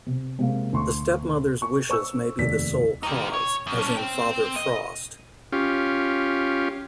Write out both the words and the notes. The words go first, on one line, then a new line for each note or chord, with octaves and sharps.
The stepmother's wishes may be the sole cause, as in Father Frost.
C3
C3 G#3 A#3
D2 C6 C#6
C#6
C5 C#6 E6
F1 D#2 D5 B6
D#4 G4
C#5
F#2
C#4 D4
C4 G5
D#5
C#4 F4 G4